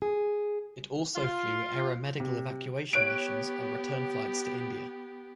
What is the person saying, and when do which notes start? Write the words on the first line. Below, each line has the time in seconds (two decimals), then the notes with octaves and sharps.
It also flew aeromedical evacuation missions on return flights to India.
0.02 G#4
1.15 F4
2.20 C3
2.93 B3 G4 C#5 F#6 D7